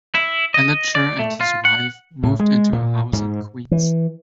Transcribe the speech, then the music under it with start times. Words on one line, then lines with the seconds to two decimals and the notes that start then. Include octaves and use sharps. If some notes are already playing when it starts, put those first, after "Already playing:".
Elitcher and his wife moved into a house in Queens.
0.15 E4
0.54 D#5
0.95 D5
1.19 A3
1.41 F4
1.65 F#5
2.23 A2
2.39 G#3
2.73 A#2
3.13 G#2
3.71 E3